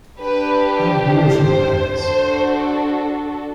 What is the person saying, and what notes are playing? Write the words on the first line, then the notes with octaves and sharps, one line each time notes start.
How beautiful that is!
D4 G4 B4
C5
D4 F#4 A4 C5